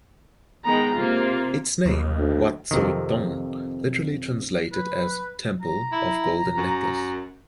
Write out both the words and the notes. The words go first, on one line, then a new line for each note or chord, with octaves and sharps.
Its name "Wat Soi Thong" literally translated as "temple of golden necklace".
D#3 G#3 B3 G5 A#5
C3 A#3 F4
D#2
D2
F2 C3 D#3
B4
A#5
E4
F#2